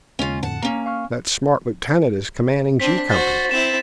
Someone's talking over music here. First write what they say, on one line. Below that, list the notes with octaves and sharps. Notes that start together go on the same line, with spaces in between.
That smart lieutenant is commanding 'G' Company.
D#2 C#3 G#3 C#4 F4
F2 A2 D3 F#5 A5
A#3 C#4 A#5
F5 C#6 F6
C4 D4 B6
F#4 C5 A6
C4 E4 E7